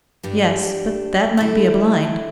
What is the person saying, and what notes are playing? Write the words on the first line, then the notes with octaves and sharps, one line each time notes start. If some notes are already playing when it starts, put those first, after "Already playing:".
"Yes; but that might be a blind."
G2 G3 D4
D3 A3 E4